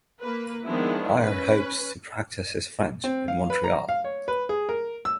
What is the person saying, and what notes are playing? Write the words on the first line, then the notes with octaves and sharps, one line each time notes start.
Ayer hopes to practice his French in Montreal.
A#3 B4
D#3 F3 G#3 B3 D4 E4
C#4 B4
C4
F5
B4
A#5
F5
C#5
B4
G#4
A#4
E6